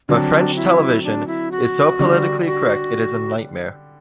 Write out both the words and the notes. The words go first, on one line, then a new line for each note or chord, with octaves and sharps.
But French television is so politically correct it is a nightmare.
D3 F#3 C4 D4
E4
D4
E4
F#4
D3 G3 D4
F#4